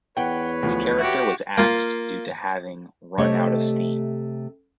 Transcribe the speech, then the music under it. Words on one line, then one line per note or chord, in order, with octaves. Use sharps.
His character was axed due to having 'run out of steam'.
E2 B4 C#5 F#5 G5
D2 F3
F#4 G4 E5
A#3 F4
C3 A3 G4 C#5 D#5